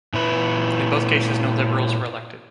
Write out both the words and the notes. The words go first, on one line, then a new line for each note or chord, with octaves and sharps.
In both cases no Liberals were elected.
A#2 E4 B4